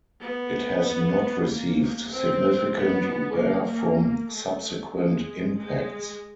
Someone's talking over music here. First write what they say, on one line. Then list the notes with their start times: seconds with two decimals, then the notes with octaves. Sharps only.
It has not received significant wear from subsequent impacts.
0.21 B3
1.46 A#3
2.10 C4
2.73 B3
3.35 A#3
3.67 A#3
4.29 A3
4.93 G#3
5.56 G#3